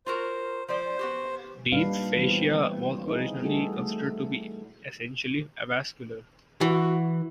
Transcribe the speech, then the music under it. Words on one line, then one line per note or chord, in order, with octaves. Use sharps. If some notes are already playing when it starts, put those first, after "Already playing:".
Deep fascia was originally considered to be essentially avascular.
F4 F#4 A#4 C5
F3 C5 D5
B3 F#4 G4
A#2 G3 D4 D#4 B4 F5
E3 G3 B3 C4
C4 D#4 E4 G#4
G3 A3 D#4 F#4 G#4 A4
A3
E3 F#4